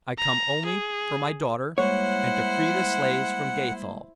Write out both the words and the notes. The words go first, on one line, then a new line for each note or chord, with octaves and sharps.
I come only for my daughter and to free the slaves from Gathol.
A#5
G#4
G3 G#3 A#3 E4 C5 C#5 F#5